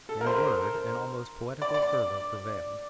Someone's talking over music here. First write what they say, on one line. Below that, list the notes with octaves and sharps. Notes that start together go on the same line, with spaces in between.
In a word, an almost poetical fervor prevailed.
A4
A#4
C5
D5
D5